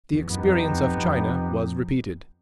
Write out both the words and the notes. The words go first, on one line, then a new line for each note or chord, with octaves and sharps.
The experience of China was repeated.
E2
F#2 B3 D#4 G4
F2
E2
F2
F#2
F2